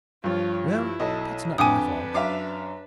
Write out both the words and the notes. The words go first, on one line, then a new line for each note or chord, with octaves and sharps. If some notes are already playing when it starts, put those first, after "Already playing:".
"Well, that's not my fault."
G2 F3 F4 C#5
E4
B1 A4 D#5
F2 D3 D4 B4 G5 G#5 D6 D#6
F#2 E5 F5 D6